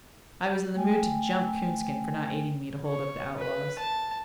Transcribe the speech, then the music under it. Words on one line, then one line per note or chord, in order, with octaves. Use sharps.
I was in the mood to "jump" Coonskin for not aiding me to hold up the outlaws.
A3 G5 G#5
C#5
B4
A5